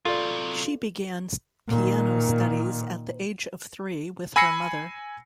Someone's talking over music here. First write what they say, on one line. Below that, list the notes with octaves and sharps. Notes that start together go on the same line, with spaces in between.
She began piano studies at the age of three with her mother.
C3 F#3 F4 A4 D5
A#2 D#3
G#5 B5 E6 A#6 C7 C#7